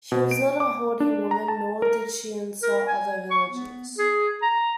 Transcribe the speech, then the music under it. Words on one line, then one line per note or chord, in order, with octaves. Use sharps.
She was not a haughty woman, nor did she insult other villagers.
B2
D7
D6
D4
A#5
A5
A#4
A#4
G#5
C#6
B3
G#4
A#5